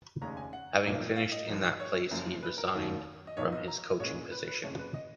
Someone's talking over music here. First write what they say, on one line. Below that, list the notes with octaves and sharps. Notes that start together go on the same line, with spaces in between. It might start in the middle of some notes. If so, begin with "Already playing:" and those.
Having finished in that place, he resigned from his coaching position.
F1 D#2 C#3 G#3 C#4 A#5
G#5
F#5
B1 A#2 F3 A#3 D#4
F5
D#5
A#1 G#2 F3 A#3
C#5
F#1 F#2 F3
B4
A#4
F1 D#2 D#3
D#5
B1 A#2 F3 B3 D#4 C#5
D#5
A#5
A#1 A#2 G#3 C#4 C#5
B4
B4
F#1 F2 C#3 G#3 C#5
B4
D#5